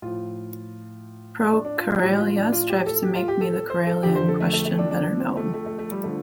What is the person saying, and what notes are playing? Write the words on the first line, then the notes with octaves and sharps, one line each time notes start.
ProKarelia strives to make the Karelian question better known.
A2 F3 F4
D4
D4
F4
A2 F3 G4
F4
D4
F4
G4
A4
G4
F4
G4
A4
A4
C5
A4
F2 D3 F3 G4
C5
A4
A3
A3
A3
D4
D4
D4
C4
A3
A3
A3
A3
G3
D3 F3 A3